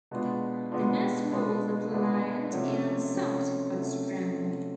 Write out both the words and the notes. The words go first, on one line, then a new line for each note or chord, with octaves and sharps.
The nest walls are pliant and soft but strong.
B2 G#3 B3 D4 F4
B2 G#3 B3 D4 F4
B2 G#3 B3 D4 F4
B2 G#3 B3 D4 F4
C3 F3 A3 C#4 F#4
C3 F3 A3 C#4 F#4
C3 F3 A3 C#4 F#4
C3 F3 A3 C#4 F#4